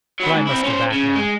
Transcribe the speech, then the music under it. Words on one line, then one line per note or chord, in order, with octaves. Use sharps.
But I must go back now.
F#3 B3
G#2
C4 E4
C#4 C5
C#3
G#3